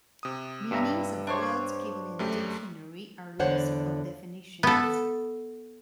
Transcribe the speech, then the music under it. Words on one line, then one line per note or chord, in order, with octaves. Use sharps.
Meanings of words given in a dictionary are lexical definitions.
C3 D#6
G2 E5 A#5
D4 C5 C#5
F#2 A3 G4
E2 D3 D4 C5 C#5 F#5
B3 A4